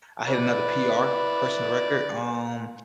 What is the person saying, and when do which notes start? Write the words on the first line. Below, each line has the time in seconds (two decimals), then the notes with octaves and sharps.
I hit another PR- personal record, um
0.28 E4 B4 D5